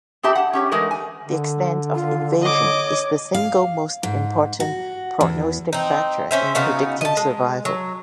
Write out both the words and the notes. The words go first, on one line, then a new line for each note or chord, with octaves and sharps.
The extent of invasion is the single most important prognostic factor in predicting survival.
B3 C4 G4 E5 A5
F#5 A5
C#4 G4 C#5
E3 G#3 A3 D#4 A#4
G#5
D3
F4
C#5 D#5 D6
F5
G#2
F#4
E2
C4 D#4
C#4 C5 E5
C#3 B3 D#4 F#4
D#5 A5
G#3
F#3